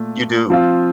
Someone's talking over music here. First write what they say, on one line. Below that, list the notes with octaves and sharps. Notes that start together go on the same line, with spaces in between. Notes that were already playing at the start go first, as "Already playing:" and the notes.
You do.
Already playing: A#2 A3
F3 C4 F4